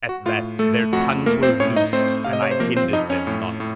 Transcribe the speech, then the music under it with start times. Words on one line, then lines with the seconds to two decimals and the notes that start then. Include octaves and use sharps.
At that their tongues were loosed, and I hindered them not.
0.09 F#4
0.26 A2 F4
0.59 A3 A4
0.93 F2 F#4
1.26 A3 A#3 A#4
1.43 C4 C5
1.60 A2 C#4 C#5
1.76 D#4 D#5
1.93 A3 C4 C5
2.25 C3 F5
2.33 D#5
2.42 C#5
2.51 C5
2.59 F3 A#3 A#4
2.77 C4 C5
2.93 F2 D#4 D#5
3.10 C#4 C#5
3.27 A2
3.60 A2